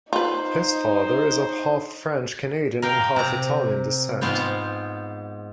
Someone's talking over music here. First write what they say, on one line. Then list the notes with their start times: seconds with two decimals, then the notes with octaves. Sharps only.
His father is of half French-Canadian and half Italian descent.
0.13 D#4 F4 B4 C5
2.82 A#4 F5 G5
3.16 C3 A#5
4.21 G#2 B3 F4 F5 G5